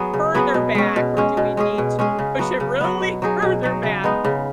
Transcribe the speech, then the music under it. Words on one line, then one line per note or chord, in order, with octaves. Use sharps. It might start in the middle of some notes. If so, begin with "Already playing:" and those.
further back, or do we need to push it really further back?"
Already playing: F#3 B3 G#4
C#3
F#3 B3 G#4
B2
G#3 C#4
B2
G#3 C#4
B2
G#3 C#4 G#4
B2
G#3 C#4 G#4
C#3
F#3 B3
C#3
F#3 B3
B2
F#3 D#4 G#4
B2
F#3 D#4 G#4
C#3
G#3 B3 D#4
C#3